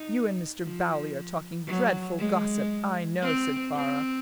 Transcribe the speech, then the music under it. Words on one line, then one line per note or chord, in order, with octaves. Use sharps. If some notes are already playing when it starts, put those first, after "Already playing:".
"You and Mr. Bowley are talking dreadful gossip, I know," said Clara.
Already playing: D#4
F3
F#3
G#3
C4
C4